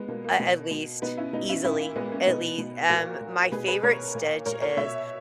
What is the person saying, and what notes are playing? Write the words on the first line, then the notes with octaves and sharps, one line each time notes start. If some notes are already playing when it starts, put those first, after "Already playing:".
At at least, easily. At lea Um, my favorite stitch is
Already playing: G#3 B3
B2 A#3
A#3
B2
B2
B2 B3 D#4
C#4 E4
B2 B3 D#4
C#4 E4
A#2 C#4 E4
A#3
A#2 G#3 B3
A#3 C#4
B2 B3 D#4
B2
A#2 F#4 A#4
A#2
B2 G#4 B4
G#4 B4
B2 A#4 C#5
A#2
A#2 A#4 C#5
A#4 C#5
B2 C#5 E5